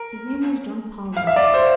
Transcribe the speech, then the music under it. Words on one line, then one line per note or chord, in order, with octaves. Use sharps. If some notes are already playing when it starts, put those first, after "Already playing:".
His name was John Palmer.
Already playing: A#4
F5
E5
D5
C5